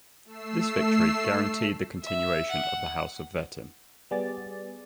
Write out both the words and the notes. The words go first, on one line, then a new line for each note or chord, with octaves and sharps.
This victory guaranteed the continuation of the House of Wettin.
A3 E6 C7
E5
F#5
G3 B3 G#4 D5 A6